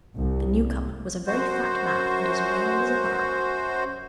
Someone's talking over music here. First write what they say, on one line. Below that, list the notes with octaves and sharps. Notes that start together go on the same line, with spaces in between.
The new-comer was a very fat man, and as round as a barrel.
C2
F#2 F#4 C5